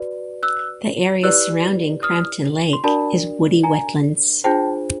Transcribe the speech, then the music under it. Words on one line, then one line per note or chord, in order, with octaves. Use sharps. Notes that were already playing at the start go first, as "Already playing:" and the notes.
The area surrounding Crampton Lake is woody wetlands.
Already playing: F#4 B4 D5
E6 F#6
E4 G4 B4 D5 E6 F#6
D#6 F6
C6
D4 F#4 A#4 D5 A5 B5
G#5 A#5
D4 F4 G#4 C5 G5 A5